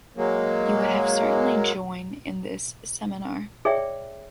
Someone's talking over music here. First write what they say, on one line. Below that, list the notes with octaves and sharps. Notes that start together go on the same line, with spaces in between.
You would have certainly join in this seminar.
F#3 G#3 A#3
G#4 C#5 D5 E5 G5